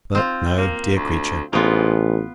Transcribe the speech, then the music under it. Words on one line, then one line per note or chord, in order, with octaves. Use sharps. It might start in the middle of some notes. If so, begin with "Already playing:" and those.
But no, dear creature!
C4 F4
A#3
D2
A1 G#2 B3 F4